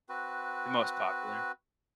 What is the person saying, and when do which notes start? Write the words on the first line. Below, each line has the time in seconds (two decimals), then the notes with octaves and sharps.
the most popular.
0.09 C4 F#4 B4